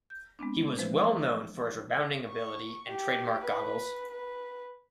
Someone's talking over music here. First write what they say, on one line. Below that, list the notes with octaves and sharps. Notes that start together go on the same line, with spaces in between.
He was well known for his rebounding ability and trademark goggles.
G6
G#3 B3 C4 D4
E3 F3 G#3 B4 C5
C#6
G4
B4
B4